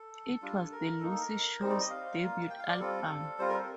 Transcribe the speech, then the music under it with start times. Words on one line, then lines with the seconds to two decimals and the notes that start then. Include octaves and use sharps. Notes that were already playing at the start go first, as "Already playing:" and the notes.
It was The Lucy Show's debut album.
Already playing: A4
0.42 G3 D4 F4
0.72 A#4
1.01 A#3 D#4 A4
1.11 A4
1.21 A#4
1.61 G3 C4 D#4 C5
1.70 D5
1.81 D#5
1.90 F5
2.19 A#3 F4
2.50 G5
2.59 F5
2.69 D5
2.79 G3 C4 F4 A4
3.39 G3 C4 F4 C5
3.49 A#4
3.59 A4